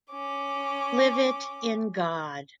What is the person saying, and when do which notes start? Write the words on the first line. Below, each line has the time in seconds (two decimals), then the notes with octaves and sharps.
Live it in God.
0.12 C#4 D6